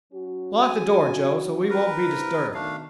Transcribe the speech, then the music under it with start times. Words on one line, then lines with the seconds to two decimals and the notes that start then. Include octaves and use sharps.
Lock the door, Joe, so we won't be disturbed.
0.13 F#3 C#4 F#4
0.62 G#5
1.70 A#4 B4
2.06 G3 C4 E4
2.54 B2 D#3 A3 D4 F5